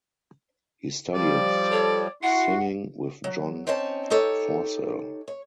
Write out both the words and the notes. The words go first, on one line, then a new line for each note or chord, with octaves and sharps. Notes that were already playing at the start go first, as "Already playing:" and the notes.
He studied singing with John Forsell.
F3 G3 D5
A4 C#5
E4 F#4 F#5 C6
F#3
C4 C#4 D#4 C#5 A5
D#4 G4 A4 C#5
C#5